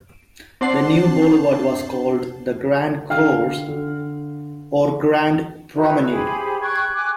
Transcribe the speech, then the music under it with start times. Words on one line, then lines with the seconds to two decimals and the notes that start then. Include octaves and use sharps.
The new boulevard was called the "Grand Cours", or "Grand Promenade".
0.61 C4 D4 C5 F#5 A5 C7
3.10 D3 F5 G5 F6
3.68 D3
5.74 D#4 E4 F#4 B4
6.10 G4 G#4 C5 B5
6.62 G5 C#6 F#6 G#6
6.94 G#5 D6 F#6